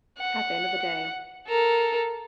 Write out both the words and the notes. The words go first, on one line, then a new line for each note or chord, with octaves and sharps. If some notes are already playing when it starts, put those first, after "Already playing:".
At the end of the day.
F#5
A4 A#4